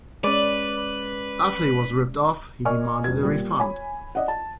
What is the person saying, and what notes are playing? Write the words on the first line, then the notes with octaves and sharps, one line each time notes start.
After he was ripped off, he demanded a refund.
G#3 C#4 B4 D5
A#4 D5 D#5 G#5 C#6 F6
E1 G#6
A#2 G3
C#5 G#5 B5
D5 D#5 F#5
A5